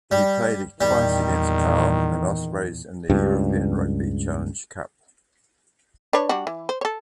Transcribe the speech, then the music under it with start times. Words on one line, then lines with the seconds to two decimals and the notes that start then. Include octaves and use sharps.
He played twice against Pau and Ospreys in the European Rugby Challenge Cup.
0.11 G3
0.81 E2 A#2 D#3 G3
3.10 C#2 G2
6.13 D4 B4 C#5
6.29 G3 D4 F#4
6.47 E3
6.69 C5
6.81 A4 C#5